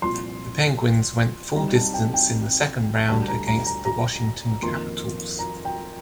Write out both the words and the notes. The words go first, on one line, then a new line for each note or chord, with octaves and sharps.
The Penguins went the full distance in the second round against the Washington Capitals.
C2 A#2 F3 C6
C3 G3 C4 D#4 A#5
A5
G5
G5
D2 D3 G3 A5
A#5
A#5
A#5
A#5
F2 D#3 A#3 F4 C6
A#5
G5